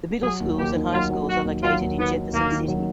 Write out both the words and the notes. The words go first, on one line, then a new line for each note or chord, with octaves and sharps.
The middle schools and high schools are located in Jefferson City.
F#3 G#4
D#2
D#2 G4
D#3
F#3 F4
F#3
F#3 F#4
D#2
F#3 F4
D#2
D#3 B3
D#3
D#2 A#3
D#3
F#3